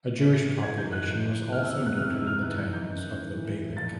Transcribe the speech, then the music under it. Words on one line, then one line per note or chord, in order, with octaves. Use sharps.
A Jewish population was also noted in the towns of the Beylik.
A2 E3
G#2 E3 G#6
G6
F#6
A2 F3
E2 B2 F6
E6
F#6
F2 C3 E3 F6
E6
F6
G#2 E3 F#6
G6
G6
F#2 D#3
A2 E3
A#2 F3 A6